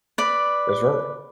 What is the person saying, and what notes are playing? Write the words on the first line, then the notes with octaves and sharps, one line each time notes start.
That's right.
B4 D5 B5